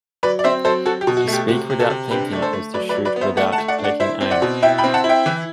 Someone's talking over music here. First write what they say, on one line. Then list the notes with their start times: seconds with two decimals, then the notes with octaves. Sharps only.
To speak without thinking is to shoot without taking aim.
0.23 F#3 B4 D5
0.39 D5
0.44 C4 C5 E5
0.64 F#3 A4 C5
0.85 F#3 F#4 A4
1.01 G4
1.07 B2
1.17 F#4
1.27 A3
1.33 G4
1.48 C3 F#4
1.70 C3
1.80 F#4 A4
1.90 C3
2.11 D3 G4 B4
2.33 A3 D5
2.42 A4 C5
2.53 A3
2.74 F#3 B4 D5
2.89 B4 D5
2.95 F#3
3.05 B4 D5
3.16 B3
3.21 C5 E5
3.37 A3 D5 F#5
3.52 F#5 A5
3.58 A3
3.68 D5 F#5
3.78 D4
3.84 D5 F#5
4.00 E4 C5 E5
4.21 C4
4.31 D5 F#5
4.42 B2
4.62 E4 E5 G5
4.78 G5 B5
4.84 C4
4.94 F#5 A5
5.04 E4
5.09 E5 G5
5.26 E3